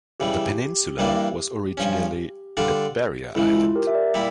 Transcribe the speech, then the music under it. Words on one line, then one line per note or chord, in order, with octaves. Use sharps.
The peninsula was originally a barrier island.
C#3 E3 G3 G4
G2 E3 G3 A#3 D4
G2 F3 C#4
D3 G3 D4 F4
C#2 C#3 E3 E4
F4
G4 A#4
E5
A#4 D5
A#2 G3 E4